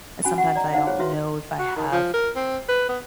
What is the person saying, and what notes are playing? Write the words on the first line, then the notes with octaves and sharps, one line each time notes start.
sometimes I don't know if I have
C#4 F#4 G#5 B5
F#5 C#6
D5 D#5 A#5
D#4 C5 F5 F#5
F4 G#4 C5 C#5
E4 F#4 B4 E5 C6
F#4
D#3
F3
A#4
C4
B4
B3